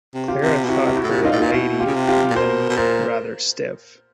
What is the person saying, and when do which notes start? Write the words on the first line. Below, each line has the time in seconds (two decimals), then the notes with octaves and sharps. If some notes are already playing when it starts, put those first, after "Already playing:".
Clara thought her a lady, even rather stiff.
0.14 C3
0.28 F4 G4
0.42 C3
0.64 B2
0.69 C3 E4 F#4
0.88 G4
0.96 E4 F#4
1.03 A2
1.11 A#2 F#4
1.22 G#2 D#4 F4
1.32 A2
1.42 A#2 F4
1.52 B2 E4 F#4
1.80 F4 G4
1.86 C#3
1.94 C3
2.08 F4 G4
2.30 A#2
2.36 B2 A#4 C5
2.69 B2
2.77 A#2 A#4 C5